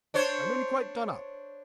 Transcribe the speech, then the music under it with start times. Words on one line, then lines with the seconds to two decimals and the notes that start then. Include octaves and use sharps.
I'm really quite done up.
0.14 D4 C5 C#5